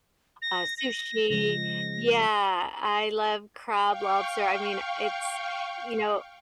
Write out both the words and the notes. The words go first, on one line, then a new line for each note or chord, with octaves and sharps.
uh, sushi yeah, I love crab, lobster I mean, it's, you know
A#6
A#6
C#3 F3 G#3 A#6
F5 G5 C#6